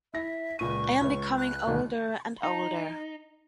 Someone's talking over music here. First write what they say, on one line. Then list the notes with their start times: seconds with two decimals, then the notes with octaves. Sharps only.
I am becoming older and older.
0.14 E4 E5 A#6
0.59 C#2 A#2 C#6 D#7
1.01 C#2 C#5
1.37 F#6
1.67 D2 B2 D#3
2.43 D#4